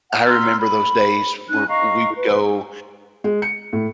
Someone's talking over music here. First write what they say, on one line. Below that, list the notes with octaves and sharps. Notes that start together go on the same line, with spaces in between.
I remember those days where w we would go
F#5
A#5 C6 E6 F6
B5
C#4 D#4 G#5 F#6
D#5 F5 A#5 C#6
B4
G#3
C#7
A2